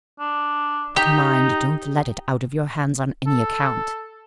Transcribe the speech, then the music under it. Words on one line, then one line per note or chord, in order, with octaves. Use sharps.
But mind, don't let it out of your hands on any account.
D4
D#4 G4
A4